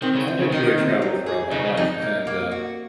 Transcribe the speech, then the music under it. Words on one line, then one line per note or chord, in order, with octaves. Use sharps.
I've enjoyed travel throughout my life, and, uh,
D#3 C4
C#3
C4
C#3
D#3 D#4
C4
F#3
G#4
C#3 D#4
C#3
F2 D#4
A#3
A#3
F#4